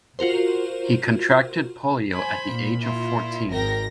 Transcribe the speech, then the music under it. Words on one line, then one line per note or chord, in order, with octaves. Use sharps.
He contracted polio at the age of fourteen.
F4 F#4 A#4 C5
C5 G#5 B5
A#2
E4 F4
G#1 A#4 G5 A#6